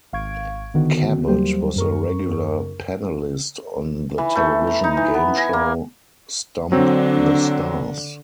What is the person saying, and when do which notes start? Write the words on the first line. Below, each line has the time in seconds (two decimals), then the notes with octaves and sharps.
Cabot was a regular panellist on the television game show, "Stump the Stars".
0.13 G#1 F5 C#6 G#6 D7
0.74 D3 D#3 B3 F#4
1.26 D#2 F#3 G3 A#3 G4 C5
1.76 F#2 A#4 C#6
4.18 E3
4.35 A3
4.67 A#5
4.84 D#4
4.97 E3
5.14 B3
5.37 G#5
5.53 A#3
6.72 D3 F#3 C4 D4